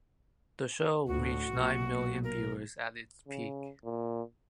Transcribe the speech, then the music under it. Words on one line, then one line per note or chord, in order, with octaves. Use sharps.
The show reached nine million viewers at its peak.
D2 A2 F#4
B1 A#2
A#4
C#3
A#2